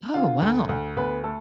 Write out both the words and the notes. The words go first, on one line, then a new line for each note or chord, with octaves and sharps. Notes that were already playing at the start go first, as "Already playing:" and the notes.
Oh, wow.
D3 F4
D2
D2
D2 B3 B4
A3 A4